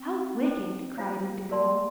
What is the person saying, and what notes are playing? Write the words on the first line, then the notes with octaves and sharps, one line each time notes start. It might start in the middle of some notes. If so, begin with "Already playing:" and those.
"How wicked!" cried Indigo.
Already playing: C4
A4 C5 G5
A#3 F4 C5 F5 A#5
A#3
A#4 D5 A5 C6